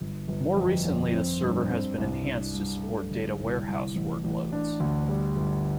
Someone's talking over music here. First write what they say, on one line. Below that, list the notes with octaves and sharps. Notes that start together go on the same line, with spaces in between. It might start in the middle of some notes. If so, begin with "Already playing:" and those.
More recently the server has been enhanced to support data warehouse workloads.
G1
G1
F2
F2
C4
G2
C4
C2
D4
G2
A3
G1
C2
C2
A1
A1
D4
D2
G3
G1